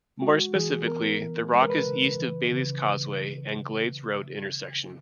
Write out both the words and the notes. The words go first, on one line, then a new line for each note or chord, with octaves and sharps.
More specifically, the rock is east of the Bailey's Causeway and Glades Road intersection.
G#3 F#4
E3 G#4
B3 A#4
E3
G#3 B4
A#4
B4
C#3
E3
C#3